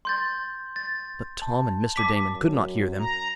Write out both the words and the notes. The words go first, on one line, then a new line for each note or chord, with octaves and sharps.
But Tom and Mr. Damon could not hear them.
C6 G6 A6
A6
A5
A5 D6 B6
F#2
A#5